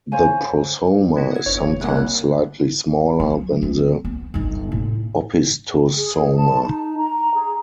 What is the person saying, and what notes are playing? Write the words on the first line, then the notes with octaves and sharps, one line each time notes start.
The prosoma is sometimes slightly smaller than the opisthosoma.
C5 C#5 F5 G#5
B3 E4 F#4
F#5 G#6
G1 E2 C#5
C2 A#3 F#5 F#6
F#3
C4
B3
G1 D#4
A2
G#4
A5
D#4
A#5
G#4